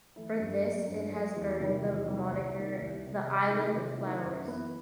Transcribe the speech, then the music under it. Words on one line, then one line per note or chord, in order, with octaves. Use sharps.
For this it has earned the moniker the "island of flowers".
E3 A3 E4
G2
F#3 A3
G2
F#3 A3
E2
C3 D#3 G3
E2
C3 D#3 G3
C2
C3 D#3
C2
C3 D#3
C3
D#3 A3 E4
C3
D#3 A3 E4
F#2
E3 B3 E4